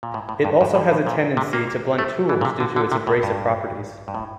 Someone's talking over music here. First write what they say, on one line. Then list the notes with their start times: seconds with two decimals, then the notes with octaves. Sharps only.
It also has a tendency to blunt tools due to its abrasive properties.
0.03 A#2
0.14 A2
0.29 A2
0.45 G2
0.61 G2
0.75 A2
0.92 A2
1.06 A#2
1.37 C3
1.53 A#3
1.99 A3
2.29 E3
2.41 A#2
2.45 C3
2.60 D3
2.76 D3
2.92 C3
3.07 A2
3.23 G2
4.08 G2
4.15 A2